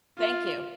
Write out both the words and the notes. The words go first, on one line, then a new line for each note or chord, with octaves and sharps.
Thank you.
F4